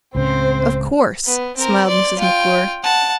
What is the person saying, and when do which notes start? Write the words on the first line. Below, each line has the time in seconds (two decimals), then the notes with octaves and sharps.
"Of course," smiled Mrs. McClure.
0.15 C#2 A2 C#3 C4 C5
1.26 B3
1.57 C4 A#4
1.87 D5 C6
2.19 F4 G5
2.83 F#5 A5